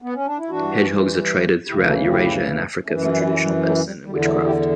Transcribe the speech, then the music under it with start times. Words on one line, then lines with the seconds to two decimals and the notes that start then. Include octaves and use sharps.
Hedgehogs are traded throughout Eurasia and Africa for traditional medicine and witchcraft.
0.02 B3
0.14 C#4
0.26 D4
0.38 E4
0.49 G2 E3 D4 F#4
1.68 D2 C#3 E3 E4 G4
1.88 F#4 A4
2.09 E4 G4
2.86 F#2 E3 A3 C#4
3.01 F#3 A3
3.17 G3
3.31 F#3
3.46 G3
3.66 F#3 A3
3.85 G3
4.05 E2 D3 G3
4.25 F#3 A3
4.45 E4 G4